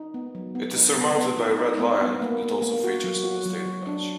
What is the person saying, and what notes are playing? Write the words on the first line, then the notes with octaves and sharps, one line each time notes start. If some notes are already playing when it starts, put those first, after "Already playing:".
It is surmounted by a red lion that also features on the State badge.
Already playing: D#4
B3
F#3
B3
D#4
B3
B3
D#4
D#4
B3
B3
A#3
A#3
A#3
F#4
F#3
F#4
F#3
F#3
D4